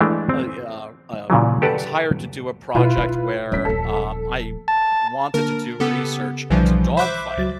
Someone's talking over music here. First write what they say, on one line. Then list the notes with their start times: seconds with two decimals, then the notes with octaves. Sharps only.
a, uh, uh I was hired to do a project where, uh, I w wanted to do research into dogfighting,
0.01 E3 G#3 A3 D4
0.29 C4
1.30 A#2 C#3 E3 F#3
1.62 G4 A4 B4 D5 F#5 A5
2.75 B2 E4 F4 B4
2.97 D#4
3.52 F3 F#3 C#4 B6
3.65 D#1 F3 A4
4.68 A5
5.34 D3 A#3 A#4
5.80 C#3 B3 G4 A4
6.50 B1 D3 E3 F3 G3
6.97 C5 E5 B5 D6 F#6
7.37 C#2 F#3 A6